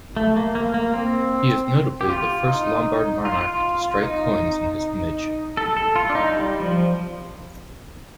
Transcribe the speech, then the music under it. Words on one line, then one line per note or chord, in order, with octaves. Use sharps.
He is notably the first Lombard monarch to strike coins in his image.
A3
A#3
A#3
A#3
C4
G4
F4
D#4
F4
D#4
A4
A4
F4
D4
D#4
G3
F3